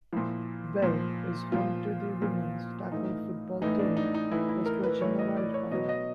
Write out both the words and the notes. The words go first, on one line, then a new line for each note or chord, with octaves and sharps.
Belle is home to the women's tackle football team West Virginia Wildfire.
A#2 F3 E4
A#2 F3
A#2 F3 F4
A#2 F3
A2 E3 D#4
A2 E3 D#4
D4
D#4
D#4
A2 E3 E4
E4
A#4
B4
A2 E3 C#5
D#5
D5
C#5
B2 F#3 D#5
D#5